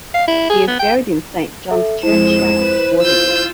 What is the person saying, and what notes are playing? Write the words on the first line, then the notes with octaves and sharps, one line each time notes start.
He is buried in Saint John's Church-yard, Waterloo.
F5
E4
G#4
B3
G5
A4 E5
F2 G#3 E4 C5 E7
B4
F4 E6 G6